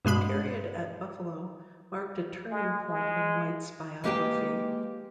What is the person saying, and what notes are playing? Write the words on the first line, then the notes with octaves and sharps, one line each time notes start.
The period at Buffalo marked a turning point in White's biography.
G2 B2 G#3 B5
G#3
G#3
G#3 A#3 G4 B4 F5 G5